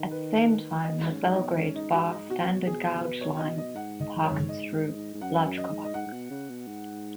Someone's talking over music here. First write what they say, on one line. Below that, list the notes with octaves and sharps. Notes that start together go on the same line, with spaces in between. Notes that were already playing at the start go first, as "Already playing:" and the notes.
At the same time, the Belgrade-Bar standard gauge line passed through Lajkovac.
Already playing: D#3
B4
D#5
G#2
C#4
G#2 F#4
D#4
B2
G#2 C#4
D#4
F#4
D#4
B2 F#4
G#4
B4
C#5
D#5
D#5
G#2 F#5
D#5
C#5
D#5
G#2
F#2 F#5
F#2
D#5
G#2
D#5
G#2 F#5
G#2
B2
C#3
B2
G#2